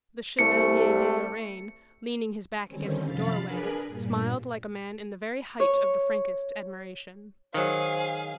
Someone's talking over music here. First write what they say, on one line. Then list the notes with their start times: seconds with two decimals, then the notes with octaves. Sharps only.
The Chevalier de Lorraine, leaning his back against the doorway, smiled like a man in the very height of the frankest admiration.
0.39 C2 A3 C#7
2.66 D3 D#3 G3 C4 C#4
3.04 F#2 C3 F3 F5 B5 A6
3.46 D4 G#4 A#4 B4 G#5 B5
3.87 G2 A#2
5.60 C#5
7.54 D#3 F#3 G#4 C5 F5